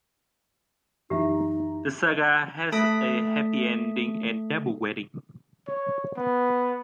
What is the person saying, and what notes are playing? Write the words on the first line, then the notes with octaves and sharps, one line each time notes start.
The saga has a happy ending and double wedding.
F#2 E3 D#4 G4 E5 A#5
A3 A4 A5 D#6 B6
C#5
B3